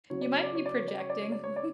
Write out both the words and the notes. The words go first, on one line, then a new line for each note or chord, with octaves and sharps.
You might be projecting.
C#3 F#3 C#4 C#5
D5
C#5
D5
C#5
D5
C#5
D5
C#5
D5
C#5
D5
C#5
D5